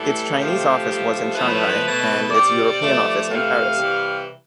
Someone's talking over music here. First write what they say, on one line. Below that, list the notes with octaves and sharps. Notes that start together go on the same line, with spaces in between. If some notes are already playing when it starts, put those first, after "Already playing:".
Its Chinese office was in Shanghai and its European office in Paris.
Already playing: A2 E3 G3 A4
C3 F3 A3 G4
G2 F3 A3
A2 F3 A3 B4
B2 A3
C3 G3 D5
G2 F3 A3
C3 E3 A3 F5
C3 E3 G3